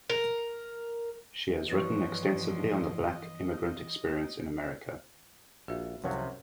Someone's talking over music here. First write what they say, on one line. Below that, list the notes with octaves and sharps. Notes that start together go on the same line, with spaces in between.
She has written extensively on the Black immigrant experience in America.
A#4
G2 E3 F3 B3 C#5 D#5
A#1 F#4 E5
C2 F#2 C3 F3 F#3 C#5 F#5